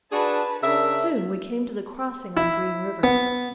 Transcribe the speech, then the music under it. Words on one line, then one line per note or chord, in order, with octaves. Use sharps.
Soon we came to the crossing on Green River.
D4 F#4 G#4 B4 A5
C#3 D4 A#4 E5
E4
B3